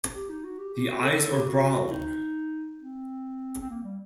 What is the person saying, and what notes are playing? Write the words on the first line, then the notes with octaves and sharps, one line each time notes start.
The eyes are brown!
G4
D#4
F#4
G4
G4
F#4
A4
A4
G4
F#4
F#4
D#4
C4
C4
A#3
G3